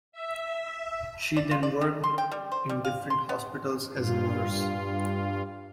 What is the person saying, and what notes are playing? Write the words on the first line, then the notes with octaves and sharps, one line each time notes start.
She then worked in different hospitals as a nurse.
E5
D5
F4
D5
D#3
C6
G5
G3
C5
G3
F5
C6
B3
G2 F4